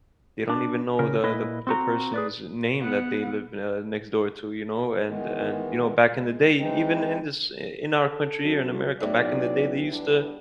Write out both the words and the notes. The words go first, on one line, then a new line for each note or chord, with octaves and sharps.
they don't even know the the the person's name that they live, uh, next door to, you know, and and you know, back in the day, even in this eh in our country or in America, back in the day, used to
D4
C#3 A#4
A#2 E4 B4 D#5
C4 F#4 A#5
G#4 B4 D5
B3 F#5
D#3 E3 G#3 B3
G#3
E3 G#3 C4 D#4
A4
F#2
B1 A2 C#3 E3 G#4 D5
G3 B3 D4